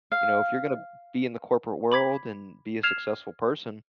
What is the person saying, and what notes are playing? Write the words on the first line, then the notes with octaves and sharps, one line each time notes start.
you know? If you're gonna be in the corporate world and be a successful person
F5
B5 D6 G#6 B6
F6 G#6 C7 E7 F7